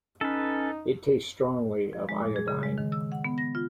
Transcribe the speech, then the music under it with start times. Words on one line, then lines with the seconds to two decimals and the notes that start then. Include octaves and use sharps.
It tastes strongly of iodine.
0.21 C#4 D#4 A4 B4
1.93 F3
2.09 G#3
2.22 A#2
2.36 G#4
2.48 C#3
2.63 G#3
2.78 D#3
2.92 E6
3.12 F#5
3.24 B3
3.38 A#6
3.55 F4